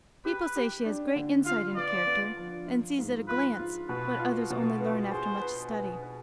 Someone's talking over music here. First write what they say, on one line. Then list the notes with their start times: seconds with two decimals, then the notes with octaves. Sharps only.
People say she has great insight into character, and sees, at a glance, what others only learn after much study.
0.25 G4 B4
0.56 G4
0.86 D4
1.16 D3
1.46 F4 F5
1.76 B3 D5
2.07 B3
2.37 F3
2.67 F4
2.98 G#2
3.28 F4 B4
3.59 F4
3.89 B2 B4
4.20 F4
4.50 B2
4.81 B3
5.10 G#4 C5
5.41 B4
5.72 B4
6.03 B4